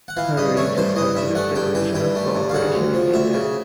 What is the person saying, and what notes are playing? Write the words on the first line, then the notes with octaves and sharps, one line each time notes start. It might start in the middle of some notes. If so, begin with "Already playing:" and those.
Her research considers the evolution of cooperation in nature.
F#5
E3 F5
G2 D#5
A3 C#5
G2 C5
E3 D#5
G2 E5
A3 F#5
G2 G5
E3 G5
G2 G5
A3
G2
F5
C#3 F#5
D2
F3
D2 E5
C#3